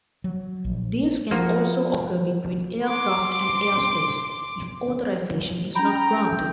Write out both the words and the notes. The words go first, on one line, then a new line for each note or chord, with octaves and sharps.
Deals can also occur between aircraft and airspace, if authorization is not granted.
F#3
A#1
F3 A#3 F4 F#4
C6 D6
C#4 G5 A#5 B5